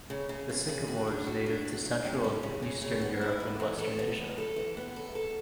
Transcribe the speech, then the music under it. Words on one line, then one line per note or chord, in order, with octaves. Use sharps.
The sycamore is native to central and eastern Europe and western Asia.
C#3
C#3
C#3
C#3
F#4
D4
F#4
D4
F#4
C#3
G3
G3
C#3
C#3
C#3
B3
E4
B3
E3
A4
B3
B3
A4
E3
B3
A4
A4